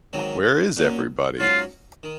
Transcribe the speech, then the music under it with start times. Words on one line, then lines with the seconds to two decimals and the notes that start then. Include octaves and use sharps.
Where is Everybody?
0.13 G#2 D#3 F#3 C4
0.77 A#2 F#3 C#4
1.40 G#2 F#3 C#4 F4 F#4
2.03 D#3